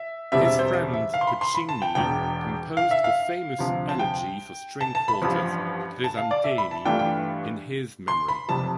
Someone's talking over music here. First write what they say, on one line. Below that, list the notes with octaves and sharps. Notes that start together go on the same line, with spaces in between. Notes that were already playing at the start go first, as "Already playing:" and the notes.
His friend Puccini composed the famous elegy for string quartet "Crisantemi" in his memory.
Already playing: E5
E1 E2 B2 G3 C4 E5
E5
C5
E5
F5
C6
B5
C6
B5
A5
G5
E1 E2 B2 G5
F5
E5
F5
D2 C3 F3
A5
G5
A5
A5
B5
A1 G2 F3
A5
F5
D5
E5
B5
A5
G2 E3 A3 D4 F4 G5
G5
C6
B5
F1 F2 C3 G3 A5